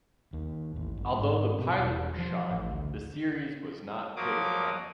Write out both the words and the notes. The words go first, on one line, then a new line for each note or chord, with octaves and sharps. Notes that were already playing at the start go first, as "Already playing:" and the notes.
Although the pilot was shot, the series was not picked up.
D#2
A1
G1
G#2
B2
E1
F3
A1
D2
F3 F#3 A#3 D6 D#6